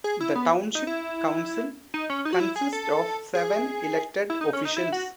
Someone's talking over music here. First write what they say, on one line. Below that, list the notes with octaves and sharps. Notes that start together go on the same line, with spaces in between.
The Township Council consists of seven elected officials.
G#4
E4
B3
D#4
E4
D#4
C#4
D#4
F#4
E4
G#4
A4
G#4
E4
D#4
C#4
D#4
E4
F#4